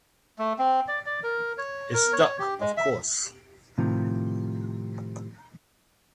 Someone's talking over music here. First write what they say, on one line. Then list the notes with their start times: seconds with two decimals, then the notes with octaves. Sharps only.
It stuck, of course.
0.39 A3
0.58 C4
0.88 D5
1.06 D5
1.23 A#4
1.58 C#5
1.94 A#4
2.13 C#5
2.39 G4
2.60 G#3
2.77 E5
3.78 A2 C3 D#3 F3